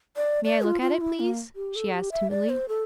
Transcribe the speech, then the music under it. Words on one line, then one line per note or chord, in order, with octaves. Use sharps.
"May I look at it, please?" she asked timidly.
D5
D5
F4
F4
E4
A#3
G4
A4
G4
E5
D5
C5
A4